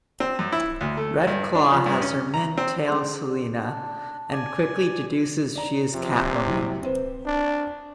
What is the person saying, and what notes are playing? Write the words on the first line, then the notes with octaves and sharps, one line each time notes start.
Red Claw has her men tail Selina and quickly deduces she is Catwoman.
C4
F#2
E4
D2
A3
G2
D4
F3
G2
C#4
A#5
C4
C#4 G#4 C6
D4 A5
D5 G#5
D5 A#5
C3 F3
C2 F#3
C4 B4 C5
D4